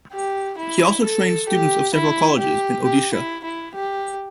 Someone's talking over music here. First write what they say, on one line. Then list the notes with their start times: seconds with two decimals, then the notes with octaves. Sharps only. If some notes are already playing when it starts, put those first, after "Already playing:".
He also trained students of several colleges in Odisha.
0.13 G4
0.58 E4
1.03 A4
1.48 G4
1.94 E4
2.39 G4
2.84 G4
3.13 E4
3.44 E4
3.75 G4